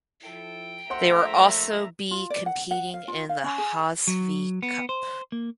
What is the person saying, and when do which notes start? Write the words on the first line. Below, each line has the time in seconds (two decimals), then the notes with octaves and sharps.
They were also be competing in the Hazfi Cup.
0.24 F3 E4 A4 G5
0.90 A#1 F3 A3 C5 E5 F#5 A#5 C6
2.11 F4
2.30 D5
2.46 F#5
2.71 F#5
2.94 F5
3.08 F4
3.29 F5
3.44 C#4
3.58 G#4
4.07 F#3
4.63 B3
4.89 C5
5.32 A#3